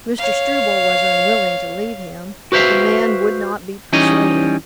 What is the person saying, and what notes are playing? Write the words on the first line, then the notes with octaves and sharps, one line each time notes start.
Mr. Struble was unwilling to leave him, but the man would not be persuaded.
C#5 F5
F#4 B4 C5 E5 F5
E3 G3 C#4 D#4 C#5 D#5